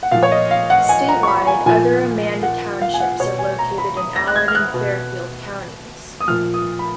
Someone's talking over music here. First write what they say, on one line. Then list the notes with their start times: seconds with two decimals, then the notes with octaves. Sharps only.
Statewide, other Amanda Townships are located in Allen and Fairfield counties.
0.03 F#5
0.11 A#2 F3 F5
0.23 C#5
0.32 D#5
0.51 F5
0.70 F#5
0.89 G#5
1.09 A#5
1.23 C#6
1.27 B5
1.47 G#5
1.66 A#2 F3 G#5
2.43 F#5
2.82 F5
2.94 G#5
3.00 F#5
3.20 B2 C#5
3.39 G#5
3.59 A#5
3.78 B5
3.97 D#6
4.16 A#6
4.27 F#6
4.36 G#6
4.48 F6
4.55 F#6
4.74 B2
6.20 D#6
6.28 A#2 F3 F6
6.54 D#6
6.79 B5